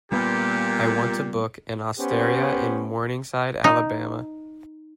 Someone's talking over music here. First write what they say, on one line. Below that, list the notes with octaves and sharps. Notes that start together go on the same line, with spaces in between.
I want to book an osteria in Morningside Alabama.
A#2 G3 A#3 B3 G4
B3 C#4 G4 C5
D#4